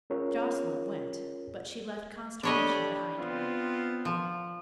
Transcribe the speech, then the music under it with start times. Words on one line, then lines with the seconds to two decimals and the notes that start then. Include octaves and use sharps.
Joscelyn went but she left consternation behind her.
0.10 C#4 F4 G#4 A#4 C#5
2.43 D4 G4 A4 C#5 D#5 B5
3.18 B3 C4 F4
4.05 F3